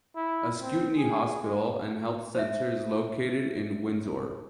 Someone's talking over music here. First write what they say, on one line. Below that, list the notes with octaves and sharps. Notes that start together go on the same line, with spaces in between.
Ascutney Hospital and Health Center is located in Windsor.
E4
C4
G#4
G#3
C5 E5